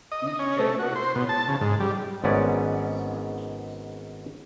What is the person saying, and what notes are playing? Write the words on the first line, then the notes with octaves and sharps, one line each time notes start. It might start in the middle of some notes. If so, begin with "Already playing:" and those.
Each chamber is further subdivided by numerous partitions.
D#5
D#5
C#4
A3
F#4
C5
B2
A5
C#3
G#2
G3
G#1 G#2 B3 C#4 D5